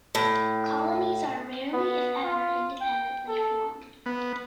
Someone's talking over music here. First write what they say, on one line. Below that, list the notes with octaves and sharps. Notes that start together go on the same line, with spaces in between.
Colonies are rarely, if ever, independently formed.
A2
B3
F4
G5
A4
B3